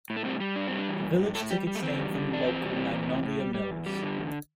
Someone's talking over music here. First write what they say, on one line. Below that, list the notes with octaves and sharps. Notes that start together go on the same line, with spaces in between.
The village took its name from the local Magnolia Mills.
A2
A3
G3 C4
G3
G2 D4
G3 C4
D4
E3
G2
A2
A2 A4
G3 G4
G3
A3
E2 C4
G3
D3
E2 D4
E2 C4
G3
E3
E2
A2
A2
G3
G3
E2
G3
D3
E2